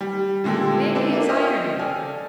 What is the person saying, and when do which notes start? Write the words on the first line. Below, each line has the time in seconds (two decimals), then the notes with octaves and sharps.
"Maggie is ironing."
0.01 G3
0.44 A#2 D3 G#3 G4 A4
0.95 C4 D4 A4 B4
1.13 A#3 D4 E5
1.28 F4 C5 D#5 G5 D#6 F6
1.79 A4 D5 G#5 F6